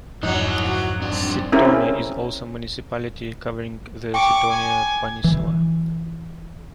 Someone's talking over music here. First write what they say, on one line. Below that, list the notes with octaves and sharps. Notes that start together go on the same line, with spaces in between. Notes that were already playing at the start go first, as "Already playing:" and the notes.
Sithonia is also a municipality, covering the Sithonia peninsula.
F2 G#2 F#3 D#4 E4 C5 F#6
F#4 F#5
F#2 C4 D4
C4 C#4 E4 G#4 A#4
G5 C#6 D6
G#5
E3